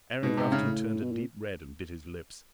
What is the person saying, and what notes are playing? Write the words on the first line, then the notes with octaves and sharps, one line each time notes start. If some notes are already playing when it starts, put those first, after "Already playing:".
Aaron Grafton turned a deep red and bit his lips.
G#2 B2
C3
C#3
A2
B2
A#2